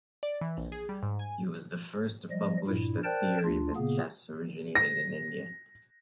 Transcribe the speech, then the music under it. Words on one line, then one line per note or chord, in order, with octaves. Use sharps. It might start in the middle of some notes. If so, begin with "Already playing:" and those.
He was the first to publish the theory that chess originated in India.
D5
E3
A#1
G#4
G3
G#2
G#5
F3 G3 D#5
G2 A#2 E4
A#4 C5 D5 G5 A5 F#6
D2 D4 F4
A#2 C#3 A#3 B3 G#4
A#6